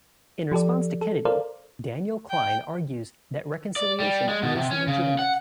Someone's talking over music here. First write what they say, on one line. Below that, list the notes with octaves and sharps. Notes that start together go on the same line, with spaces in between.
In response to Kennedy, Daniel Klein argues that reconciliation is legitimate.
F3 G4 A4 D5
A4
A4 A#4 C5 D5 F5
G5
D5
G3
G#3
B2
C3
C#4
C#3
F#5